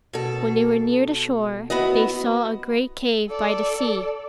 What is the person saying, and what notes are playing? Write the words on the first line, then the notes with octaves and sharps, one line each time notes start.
When they were near the shore they saw a great cave by the sea.
B2 A4
B3 E4 F#4 D#5
A4 D5